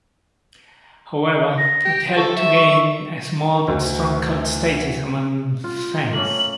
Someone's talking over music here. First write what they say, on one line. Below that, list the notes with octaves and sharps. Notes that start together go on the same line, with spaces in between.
However, it helped to gain a small but strong cult status among fans.
A#6
G4
A4 C#6
E5
D2
F4
A3 A#3 C#4 F#7